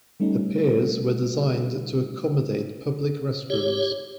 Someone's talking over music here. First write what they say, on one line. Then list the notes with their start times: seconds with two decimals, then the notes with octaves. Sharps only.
The piers were designed to accommodate public restrooms.
0.20 G3 A3 C#4 D#4
3.50 G4 C#5